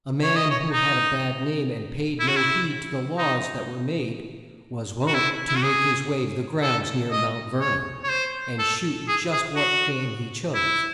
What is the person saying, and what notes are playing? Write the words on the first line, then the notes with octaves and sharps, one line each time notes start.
A man who had a bad name and paid no heed to the laws that were made, was wont to make his way to the grounds near Mount Ver-non and shoot just what game he chose.
C#5
D#5
C#5
D#4
E4
F#4
E4
D#4
F#4
E4
E4
F#4
G#4
A4
D#5
C#5
C#5
C5
A4
G#4
G#4
F#4
E4